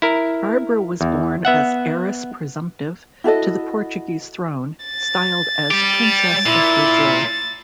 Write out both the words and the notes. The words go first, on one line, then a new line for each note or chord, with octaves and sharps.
Barbara was born as heiress-presumptive to the Portuguese throne, styled as Princess of Brazil.
E4 A#4
E2
B3 E5 F#5
E4 F#4 A4 D#5
A6
G3 G4
A#2 E4